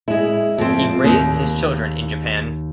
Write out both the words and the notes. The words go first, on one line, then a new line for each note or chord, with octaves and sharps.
He raised his children in Japan.
G#3 E4
F2 C4
D#2